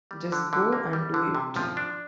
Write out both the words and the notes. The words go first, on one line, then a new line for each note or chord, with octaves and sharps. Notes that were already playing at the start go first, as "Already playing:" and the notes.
Just go and do it.
G3
D3
D3
A#3
G3
D3
C3
F3
D4